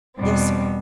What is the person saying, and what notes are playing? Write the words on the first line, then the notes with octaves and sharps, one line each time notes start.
"Yes, sir."
E2 B2 G3 C4